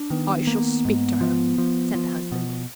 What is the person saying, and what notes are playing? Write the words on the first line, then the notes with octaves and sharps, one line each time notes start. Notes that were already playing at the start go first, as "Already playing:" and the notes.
"I shall speak to her," said the husband.
Already playing: D4
D#3 B3
A#3
G#2
F3
F3
F3
B2